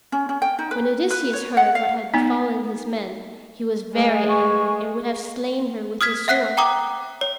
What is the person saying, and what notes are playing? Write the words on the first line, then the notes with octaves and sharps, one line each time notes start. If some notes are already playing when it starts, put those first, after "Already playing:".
When Odysseus heard what had befallen his men he was very angry and would have slain her with his sword.
C#4
C#4
G5
D#4
B4
B4
C#5
F#5
F5
B3 D#4
G#3 A3 G#4 B4
C#6
D#6 F6 G#6 B6
E5 F#5 F#6 B6 C7
G5 A#5 D6 D#6
C#5